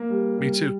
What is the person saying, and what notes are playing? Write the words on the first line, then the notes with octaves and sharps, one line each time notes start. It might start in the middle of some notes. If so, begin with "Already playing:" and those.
Me too
Already playing: A#3
G3
G3